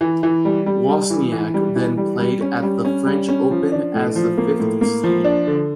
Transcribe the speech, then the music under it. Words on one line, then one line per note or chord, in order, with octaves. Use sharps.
Wozniacki then played at the French Open as the fifth seed.
E3
E3
G3
G3
G3
E3
E3
G3
E3
G3
G3
C#4
G3
C#4
G3
C#4
F3
D4
A2
F3
A#3
A2
A#3
F3
D4
D3